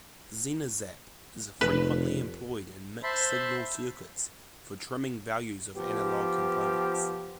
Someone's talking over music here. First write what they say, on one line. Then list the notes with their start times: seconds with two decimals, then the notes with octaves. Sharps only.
Zener zap is frequently employed in mixed-signal circuits for trimming values of analog components.
1.61 F1 B4
3.03 C5 E5 A5 B5 C6
5.75 F3 B3 G4